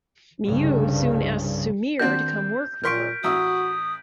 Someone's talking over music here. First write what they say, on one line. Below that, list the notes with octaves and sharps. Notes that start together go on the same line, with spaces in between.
Miu soon asks Sumire to come work for her.
C2 G2 C#3
D#3 C4 D4 F#4 G6
A#2 A#4 C6 C#6 G6 B6 D7
A1 F#4 D#6 E6